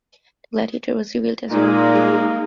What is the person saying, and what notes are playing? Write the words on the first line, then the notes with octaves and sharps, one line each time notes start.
The Gladiator was revealed as Roop.
A#2 G#3 A#3 D#4